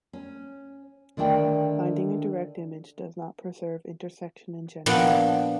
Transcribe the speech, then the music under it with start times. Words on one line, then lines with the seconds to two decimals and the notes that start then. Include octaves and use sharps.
Finding a direct image does not preserve intersection in general.
0.13 C#4
1.17 D3 D#3 A3 D5 G5
4.86 A#2 F3 B3 D4 F#5 G5